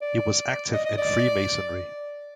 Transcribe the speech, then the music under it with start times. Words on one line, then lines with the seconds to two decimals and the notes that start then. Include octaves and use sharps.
He was active in freemasonry.
0.02 D5
0.73 D#5
0.85 D#5
0.97 D5